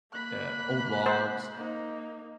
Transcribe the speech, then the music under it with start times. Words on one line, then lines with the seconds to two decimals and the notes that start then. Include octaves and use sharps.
uh, old logs,
0.13 A#3 B5 F#6
1.06 C5
1.55 A#3 D#4